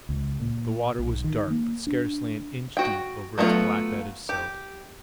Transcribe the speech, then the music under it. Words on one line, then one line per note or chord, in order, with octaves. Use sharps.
The water was dark but scarcely an inch deep over its black bed of silt.
C#2
A#2
B1
D#3
A#3
D4
F#4 G5
F#3 A3 B3 D#4 F4
G4